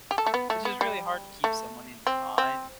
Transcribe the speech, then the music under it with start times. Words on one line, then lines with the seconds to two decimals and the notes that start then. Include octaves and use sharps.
It's just really hard to keep someone in your mind.
0.11 G4
0.18 A4
0.27 A3
0.34 B3
0.50 A3
0.65 B3
0.81 G3
1.44 A3
2.07 C4
2.38 C4